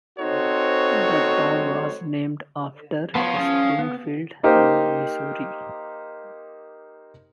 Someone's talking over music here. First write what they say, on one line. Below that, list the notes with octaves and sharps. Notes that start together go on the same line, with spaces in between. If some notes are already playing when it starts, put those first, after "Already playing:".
The town was named after Springfield, Missouri.
C4 D#4 F#4 A4 C5 C#5
B3 C#5 F5 A5
C#4 G#4 C#5
B3
A#3 D#4 G4 A#4 C5